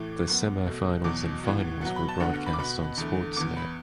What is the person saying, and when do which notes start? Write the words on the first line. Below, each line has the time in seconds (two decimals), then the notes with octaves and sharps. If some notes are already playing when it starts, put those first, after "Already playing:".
The semifinals and finals were broadcast on Sportsnet.
Already playing: A2 E3 A3 D6
0.27 F#2 F#3 B3
0.66 B2 A3
1.04 E2 B2 F#3 D6
1.44 A2 E3 B3
1.81 B2 F#3 B3 F#5
1.96 B5
2.08 A5
2.20 D2 D3 B3 F#5
2.33 F#5
2.46 B5
2.53 D6
2.59 B2 B3 B5
2.97 E2 D3 A3
3.36 E2 E3 B3 D6
3.57 B5